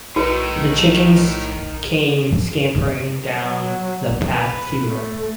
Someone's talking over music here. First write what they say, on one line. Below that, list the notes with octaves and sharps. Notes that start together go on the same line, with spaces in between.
The chickens came scampering down the path to her.
B1 A2 D#4 F#4 A#4 B4
F#3
B4
A3